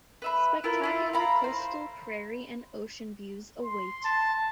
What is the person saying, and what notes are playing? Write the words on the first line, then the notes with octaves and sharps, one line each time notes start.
Spectacular coastal prairie and ocean views await.
B4 E5 B5
E4 F4 A#4 B4
E4 F4
F5 A#5 B5
C5
C6
A5